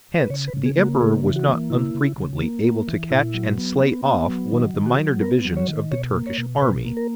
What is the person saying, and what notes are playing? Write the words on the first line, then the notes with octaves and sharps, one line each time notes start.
Hence the Emperor was not unfrequently able to catch and slay off one of the minor divisions of the Turkish army.
B4
C#3 C#5
B4
C#3
G#4
A#3
F#4
C#3 G#4
E3
F#4
A#3
C#3 E4
C#3
C#3
A#3
A#3
E3
A#2 E4
F#3
B3
B3
B3
F#3
D#3 D#4
D#3
F#4
F#3
B3 A#4
F#3
C#5
D#3
B2 C#5
A#3
C#5
B2
B2 B4
A#3
A#4